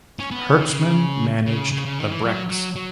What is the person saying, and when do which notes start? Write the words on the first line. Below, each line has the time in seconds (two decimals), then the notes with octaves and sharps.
Hertzman managed the Brecks.
0.19 C#4
0.31 B3
0.60 D#3
0.69 C#3
1.46 C#3
1.72 C#3
1.85 C#3
1.99 D#3
2.12 E3
2.24 F#3
2.49 F#3
2.76 F#3